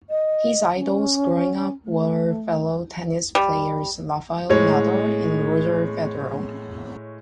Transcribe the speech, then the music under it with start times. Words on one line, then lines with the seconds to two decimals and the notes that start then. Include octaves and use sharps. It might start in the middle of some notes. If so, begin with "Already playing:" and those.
His idols growing up were fellow tennis players Rafael Nadal and Roger Federer.
0.10 D#5
0.76 C#4
1.85 A3
3.35 G3
4.50 A2 G#3 C#5